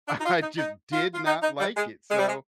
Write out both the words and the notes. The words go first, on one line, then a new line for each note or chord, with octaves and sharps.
I just did not like it, so
D4
D#4
F4
D#4
D#4
F4
F4
D#4
D#4
G3
G#3
G#3
G3
G#3